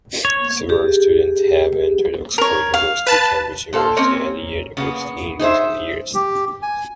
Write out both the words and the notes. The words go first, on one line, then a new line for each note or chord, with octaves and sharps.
Several students have entered Oxford University, Cambridge University and Yale University in recent years.
C#5
G4 G#4
A#4 C#5
F5
B4 A5
A#2 A4 C5 F5
A#3 C4 C#4 A#4 C#5
C#3 A#3 B3
D#4 G#4 C5 E5
G4
G#5